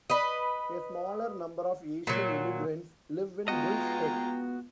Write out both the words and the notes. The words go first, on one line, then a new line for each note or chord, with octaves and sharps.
A smaller number of Asian immigrants live in Bulls Head.
B4 D#5
A#2 F#3
G#3 B3 F4 F#4 D#5 G5 A#5